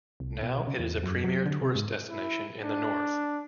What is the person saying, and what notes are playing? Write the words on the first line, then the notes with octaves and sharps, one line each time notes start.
Now, it is a premiere tourist destination in the north.
C2
B2
C#3
E2
F#2
F#3
D3
C3
G#2
E4
D4